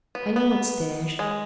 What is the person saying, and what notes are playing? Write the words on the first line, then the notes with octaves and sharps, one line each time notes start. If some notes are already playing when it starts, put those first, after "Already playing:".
I know what's there.
B3
B3
G#3